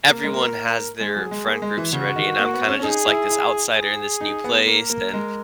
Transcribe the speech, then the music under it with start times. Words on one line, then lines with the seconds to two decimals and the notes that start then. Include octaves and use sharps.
everyone has their friend groups already, and I'm kinda just like this outsider in this new place." Then
0.09 A#3 A#4
0.24 G#3
0.32 A#3
1.01 G#3 G#4
1.16 F#3
1.31 G#3
1.46 A#3
1.62 G#3
1.77 E3
1.92 C#3 F#4
2.16 D#3
2.39 A#3
2.54 B3
2.68 C#4
2.79 C#4
2.83 D#4 G#4
3.06 E4
3.30 E4
3.76 G#4
4.21 D#4
4.44 B3
4.67 A#3 A#4
4.90 A#3
5.13 G#3